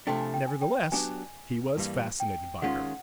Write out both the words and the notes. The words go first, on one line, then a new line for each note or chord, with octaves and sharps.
Nevertheless, he was fascinated by her.
C3 F3 A3 D4 G5
G#5
G5
G#5
G5
F#3 B3 D4 G4 G#5
G2 E3 G3 A#3
G5
D#3 G#3 C#4 F4 F#5